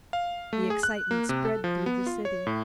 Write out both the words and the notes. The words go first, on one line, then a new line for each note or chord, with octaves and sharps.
The excitement spread through the city.
F5
A3
G#4
F#6
A#3
C3
A4
F3
B3
F4
C#5
A2